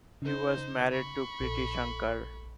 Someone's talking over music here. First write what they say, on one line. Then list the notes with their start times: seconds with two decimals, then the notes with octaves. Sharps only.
He was married to Priti Shankar.
0.22 C#3 D#4 C5
0.92 B5 C#6
1.40 A#1 A4